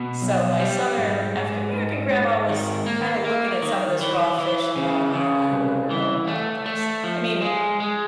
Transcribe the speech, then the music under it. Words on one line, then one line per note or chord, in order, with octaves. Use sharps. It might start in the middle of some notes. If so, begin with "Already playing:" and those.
So my southern African-American grandma was kinda looking at some of this raw fish and going, "I I don't know about this," I mean,
Already playing: B2
B1
G3
G#2
G#2
G#2
G#2
D#3
A#3
A#3
D#3
E3
E3
C#3
C#3
C2
E3
A3
A3
F3
G#3
G#3